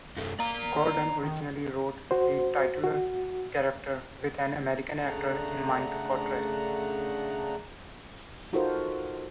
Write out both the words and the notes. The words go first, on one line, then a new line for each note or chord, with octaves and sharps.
Gordon originally wrote the titular character with an American actor in mind to portray.
F#2 A3
A#3 D5 A#5
D#3
F#4 C5
F#4
C#3 A3 D4 F#5 A#5
D#4 F4 F#4 A4 A#4 C5